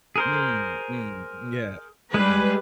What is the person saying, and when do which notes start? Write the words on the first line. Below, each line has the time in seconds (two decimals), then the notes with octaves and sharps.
Mm. Mm. Yeah. Yeah.
0.16 G#4 A#4 C5
2.14 G3 G#3 G#4 B4